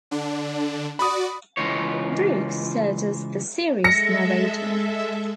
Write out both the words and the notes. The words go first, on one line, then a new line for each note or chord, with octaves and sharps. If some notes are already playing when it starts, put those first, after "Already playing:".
Brooks served as the series narrator.
D3 D4
F#4 D5 B5 D#6
C#2 E3 D#4 F4 C#5
G#3 A4 E5 A#6 C#7